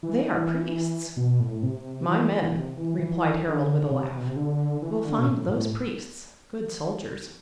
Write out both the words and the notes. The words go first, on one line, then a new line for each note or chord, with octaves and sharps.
They are priests.' 'My men,' replied Harold, with a laugh, 'will find those priests good soldiers!'
E3
B2
A2
C3
E3
C3
E3
E3
D3
C3
B2
C3
D3
E3
D3
B2
A2
A2